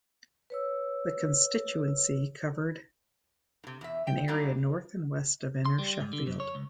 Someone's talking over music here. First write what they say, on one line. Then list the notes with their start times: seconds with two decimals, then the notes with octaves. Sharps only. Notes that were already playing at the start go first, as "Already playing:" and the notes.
The constituency covered an area north and west of inner Sheffield.
0.50 B4 C#5 E6
3.64 A2 C3
3.81 E2 E5
4.07 G5
4.28 F#3 G3 A#3 D4 D#4
5.65 C6
5.78 G3
6.00 G#2
6.13 D3
6.27 F#2
6.40 C#5
6.55 C#2